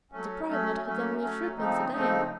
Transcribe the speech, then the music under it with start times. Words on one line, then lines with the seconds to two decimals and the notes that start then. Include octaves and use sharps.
The private had only threepence a day.
0.12 F#3 A3 C#4
0.48 F#3 A3 C#4
0.85 F#3 A3 C#4
1.20 F#3 A3 C#4
1.56 C#3 F3 A3 C4 D#4
1.92 C#3 F3 A3 C4 D#4